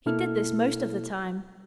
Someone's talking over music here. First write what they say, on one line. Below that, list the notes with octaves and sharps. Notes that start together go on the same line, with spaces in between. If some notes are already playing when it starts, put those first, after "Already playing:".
He did this most of the time.
B2 A#3 E4 A4 F6